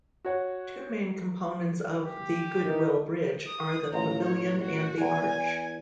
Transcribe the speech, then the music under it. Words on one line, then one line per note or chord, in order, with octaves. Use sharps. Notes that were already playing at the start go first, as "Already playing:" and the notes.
Two main components of The Goodwill Bridge are the pavilion and the arch.
F#4 C#5 F#5
G4
D#3 E3 D#4
D#6
A1 F4 A#5
C#5
F#4
E2 G#5